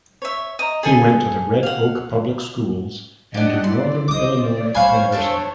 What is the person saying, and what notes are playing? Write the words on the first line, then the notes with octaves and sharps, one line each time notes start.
He went to the Red Oak public schools and to Northern Illinois University.
C#5 E5
D#5 A#5
G#4 A4 G#5
F5 F#5
D4 G4 D#5 F#5 G#5
E4 D5 C6
C5 D#5 D6 D#6
D5
C5 C#5 F5 G#5 B5 F6
D4 A4 C5 C#5 E5